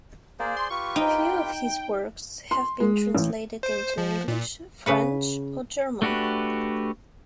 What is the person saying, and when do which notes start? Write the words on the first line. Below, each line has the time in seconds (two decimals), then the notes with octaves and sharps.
Few of his works have been translated into English, French or German.
0.40 A#3 G#4 C5 D5
0.57 C6
0.70 F4 G4 B4 C#6
0.96 D#4 G5
2.51 C6
2.80 G#3
3.15 A1
3.63 C5
3.98 F3
4.28 A#2
4.86 C#3 B4 F#5
6.02 A3 D4 F#4 G4 B4